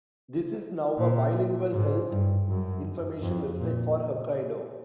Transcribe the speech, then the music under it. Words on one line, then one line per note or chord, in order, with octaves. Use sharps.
The is now a bilingual health information website for Hokkaido.
A#2
G#2
G2
F#2
F2
A#2